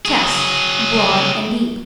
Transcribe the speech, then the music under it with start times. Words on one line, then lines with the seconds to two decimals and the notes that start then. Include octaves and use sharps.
CHEST--Broad and deep.
0.05 F#3 G#4